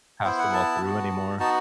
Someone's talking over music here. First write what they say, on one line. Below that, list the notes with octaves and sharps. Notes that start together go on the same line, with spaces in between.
pass them all through anymore.
B3 E4 C5
F#5
A5
B3 F#4
B3 D#4 F#4 A5